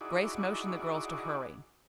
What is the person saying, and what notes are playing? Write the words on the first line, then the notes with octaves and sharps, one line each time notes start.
Grace motioned the girls to hurry.
D#4 E4 F#4 G#4 D5